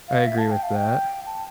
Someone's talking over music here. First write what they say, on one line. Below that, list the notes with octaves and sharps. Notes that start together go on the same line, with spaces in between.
I agree with that.
F5
E5
A5
G5
F5
G5
A5